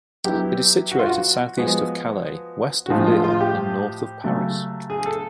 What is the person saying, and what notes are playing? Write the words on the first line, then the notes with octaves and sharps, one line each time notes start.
It is situated south-east of Calais, west of Lille, and north of Paris.
F#3 B3 E4 G4
F#4
F4
F#4
F3 G#3 B3 F#4
F#4
A2 F3 G#3 F4
F4
F4
G4
C#3 F#3 A3
G#4
A4